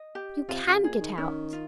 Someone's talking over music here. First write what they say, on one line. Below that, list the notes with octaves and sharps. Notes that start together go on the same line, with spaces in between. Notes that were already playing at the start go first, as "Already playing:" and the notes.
"You can get out!"
Already playing: D#5
G4
C3 F4
C#3
A#2 G#4
D#3
D#3 C#4
F4